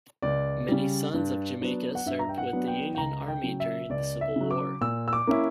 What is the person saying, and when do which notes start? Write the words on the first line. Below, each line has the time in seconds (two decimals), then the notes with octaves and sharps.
Many sons of Jamaica served with the Union Army during the Civil War.
0.22 C#2 D5
0.68 C#3 G3
1.14 G2
1.61 F#3 B3 D4
1.95 F#5
2.06 G2 E5
2.19 A#5
2.29 G5
2.38 F#5
2.53 F#3 B3 D4
2.67 G5
2.95 G5
2.98 C#2 A#5
3.28 G5
3.44 C#3 F#3
3.60 E5
3.89 C#2 D5
4.21 E5
4.36 C#3 F#3
4.51 D6
4.81 A#2 E6
5.08 E6
5.13 D6
5.27 A#3 C#4 E4